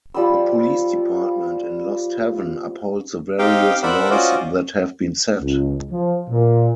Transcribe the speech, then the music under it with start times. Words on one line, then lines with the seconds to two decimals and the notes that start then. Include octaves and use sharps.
The police department in Lost Heaven uphold the various laws that have been set.
0.14 F3 G3 B5 E6
3.39 C4 D#4 G4 F5 G5
3.83 A#4 C5 D5 E5 F#5 B5
4.11 C#4 F4 F#4 C5 D5 D#5
5.41 C#2
5.91 F3
6.29 A#2